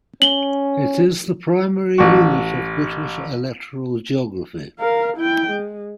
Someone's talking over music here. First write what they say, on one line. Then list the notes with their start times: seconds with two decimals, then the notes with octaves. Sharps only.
It is the primary unit of British electoral geography.
0.22 C#4 F#7 G7
1.98 A1 F#4
4.79 A#4 F5
5.17 E4 G5
5.50 G#3